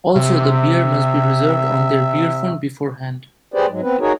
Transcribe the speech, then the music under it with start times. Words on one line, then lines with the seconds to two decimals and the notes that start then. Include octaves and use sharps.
Also, the beer must be reserved on their "beerphone" beforehand.
0.16 C3 E5
3.54 G4 G#4 B4 C5 D5
3.69 G#2 F#3 G#3
3.82 B3 C4 B4
4.00 D#4 F#4 G#4 A#4 C#5